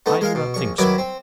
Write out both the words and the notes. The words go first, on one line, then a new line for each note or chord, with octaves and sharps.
I do not think so.
A3 B3 D#4
G#3 A#4 F5
B2
A#1 C#6
D#3 F#3 E4 B4 A#5 D6
C4